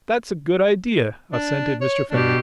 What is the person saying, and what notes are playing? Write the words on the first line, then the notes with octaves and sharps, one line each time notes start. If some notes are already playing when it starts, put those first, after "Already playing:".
"That's a good idea," assented Mr. Fenwick.
D4
C#5
B2 D4 G4